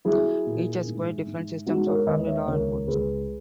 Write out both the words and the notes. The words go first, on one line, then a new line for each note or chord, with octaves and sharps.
Each has quite different systems of family law and courts.
F#3 E4 G#4
A#2
G#2
G#2
G#3 D#4 F#4
A#4 C#5
D#2 B4 D#5
C#5 E5
C#2 A#4 C#5
C#2 G#4 B4